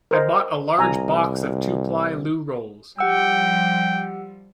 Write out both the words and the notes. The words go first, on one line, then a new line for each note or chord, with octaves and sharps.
I bought a large box of two-ply loo rolls.
A#4 C5 D#5
C2 G#5 A#5
F3 G3 G4 F#5 G5 E6